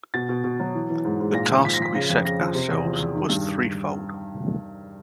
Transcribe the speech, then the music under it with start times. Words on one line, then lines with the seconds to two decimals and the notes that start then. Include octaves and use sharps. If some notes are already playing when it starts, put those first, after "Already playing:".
The task we set ourselves was threefold.
0.14 B2 A6
0.29 B2
0.44 B2
0.60 F#3
0.75 E3
0.90 E3
1.05 G#2
1.20 G#2
1.34 A#2 A#6
1.50 F3
1.64 F3 B6
1.74 A#6
1.80 F3 B6
1.95 C#3 A#6
2.10 F2
2.25 C#3 A#6
2.40 F3
2.55 C3
2.71 E2
2.85 F3
3.00 E2
3.15 D#3
3.30 G2